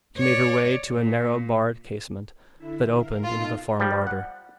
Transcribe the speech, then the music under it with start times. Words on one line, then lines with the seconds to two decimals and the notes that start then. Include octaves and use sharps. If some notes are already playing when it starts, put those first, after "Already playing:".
She made her way to a narrow barred casement that opened into the farm larder.
0.18 C#5 D5
0.97 A#2
2.57 D3 E4 E5
2.91 A#4 F5
3.25 B2 D#4 F4 A4
3.80 F3 G3
4.07 F#5